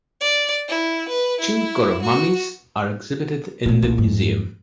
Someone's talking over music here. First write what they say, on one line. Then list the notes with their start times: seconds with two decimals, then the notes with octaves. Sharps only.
Chinchorro mummies are exhibited in the museum.
0.21 D5
0.69 E4
1.08 B4
1.40 E4
2.01 F#4
3.66 A#2 A3
3.83 C2
3.98 F2 G#2